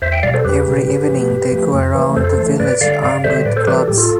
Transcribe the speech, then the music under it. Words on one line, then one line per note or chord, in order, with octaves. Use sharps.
Every evening they go around the village armed with clubs.
E2 C5 E5
E5 G5
B2 G3 D5 F5
A4 C5
E2 G4 B4
B2 G3
G2
F3 A3
G2
F3 A3
F2
E3 A3
F2 A4 C5
E3 A3
G2 B4 D5
D3 G3 D5 F5
G2 D5 F5
D3 G3 C5 E5
A2 B4 D5
A4 C5
E3 G3 G4 B4
A4
A2 G4
F4 A4